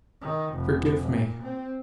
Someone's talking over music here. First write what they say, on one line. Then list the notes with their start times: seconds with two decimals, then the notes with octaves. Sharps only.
"Forgive me!"
0.21 D#3
0.54 F1
1.08 A#2
1.42 C4